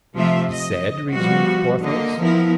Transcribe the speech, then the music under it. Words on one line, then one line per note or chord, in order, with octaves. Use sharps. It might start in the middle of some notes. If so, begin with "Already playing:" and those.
"He said?" resumed Porthos.
C3 F3 A3 C4 F4 E5
D#5
F3 G3 B3 F#4
D3 A#3 D#5
F3 B3 E4 A#4